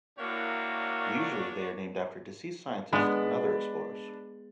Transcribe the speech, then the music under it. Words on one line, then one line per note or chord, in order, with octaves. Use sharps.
Usually they are named after deceased scientists and other explorers.
A2 A#3 D4 F#4 C#5
G#3 B3 D4 B5